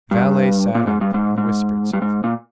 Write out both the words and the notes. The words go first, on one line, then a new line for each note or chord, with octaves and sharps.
The valet sat up and whispered something.
G2
A#2
G#2
G2
G#2
G#2
G2
G#2
A#2